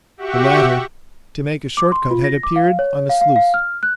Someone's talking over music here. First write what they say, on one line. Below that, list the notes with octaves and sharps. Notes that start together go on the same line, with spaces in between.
The latter, to make a short cut, had appeared on a sluice.
F#4 G4 E5 F#5 C#6
D6
C6
F4
A#6
D6
F5
C#5
F5
F5
F5
F6
F#6